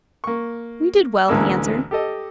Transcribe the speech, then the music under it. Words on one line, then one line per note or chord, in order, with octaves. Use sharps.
"We did well," he answered.
A#3 C#6
A1 D2 E3 G#3 A#3 E6
G4 A4 D#5